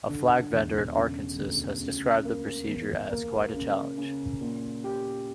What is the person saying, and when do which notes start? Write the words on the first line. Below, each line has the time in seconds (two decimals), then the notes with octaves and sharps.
A flag vendor in Arkansas has described the procedure as "quite a challenge".
0.09 D3
0.52 E1
0.95 C#3
1.38 D2
1.81 C#3
2.25 A#3
2.68 E2
3.11 A#3
3.54 C#3
3.97 C#3
4.41 A#2
4.84 G4